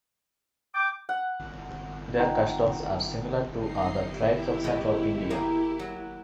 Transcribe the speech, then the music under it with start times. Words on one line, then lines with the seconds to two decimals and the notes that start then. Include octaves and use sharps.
Their customs are similar to other tribes of central India.
0.75 G5 D6
1.09 F#5
2.20 D#4 F4 F#5 G5 A#5
3.56 D#4 D#5 C7
4.01 E4 G4
4.64 B2 G#3
5.30 A#3 G#4
5.79 F#3